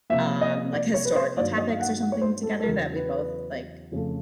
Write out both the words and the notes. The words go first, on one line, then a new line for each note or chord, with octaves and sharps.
um, like historical topics, or something, together that we both like.
C3 F3 A#3 E5
D#5
D5
C#5
B4
C5
G2 D#3 F#3 A#3 D5
D#5
F5
F#5
F#5
C#5
C5
A4
A4
E2 C#3 F#3 A#4
B4
F2 C#3 F3 A3